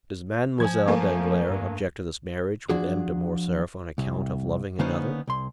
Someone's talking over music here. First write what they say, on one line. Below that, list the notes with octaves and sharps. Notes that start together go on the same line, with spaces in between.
"Does Mademoiselle Danglars object to this marriage with M. de Morcerf on account of loving another?"
F3 G#5 G#6
A3 A#3 G#5
G2
F3 D4 F#4 G#4
C2
D3 A#3 B3 C#4 D#4 C5
C2 C6